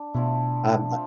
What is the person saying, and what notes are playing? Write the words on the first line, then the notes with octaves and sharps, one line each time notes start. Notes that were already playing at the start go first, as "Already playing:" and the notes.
Um, uh
Already playing: D4
B2 D3 F3 A3 E4
F3 C4